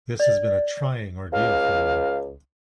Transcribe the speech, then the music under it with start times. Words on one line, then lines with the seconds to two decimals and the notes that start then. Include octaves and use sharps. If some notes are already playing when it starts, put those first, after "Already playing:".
This has been a trying ordeal for you.
0.20 D5
1.32 C#2 F5